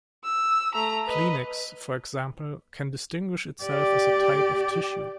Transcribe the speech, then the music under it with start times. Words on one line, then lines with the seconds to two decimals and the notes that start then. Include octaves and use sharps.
Kleenex, for example, can distinguish itself as a type of tissue.
0.25 E6
0.75 A3 A#5
1.08 B4 D#5
3.64 G4 D5